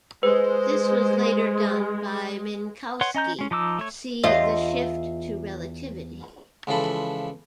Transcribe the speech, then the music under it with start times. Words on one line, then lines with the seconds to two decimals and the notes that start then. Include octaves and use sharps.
This was later done by Minkowski, see "The shift to relativity".
0.23 G#3 B4 C5
3.01 B4 C#5 F#5 C6
3.15 C#4 D#5 A#5 G6
3.39 G#3 C#4
3.51 F3 D#4 D6 E6
3.79 A3 C#5
4.23 E2 F4 D#5
6.67 C#2 E3 F3 A4 B5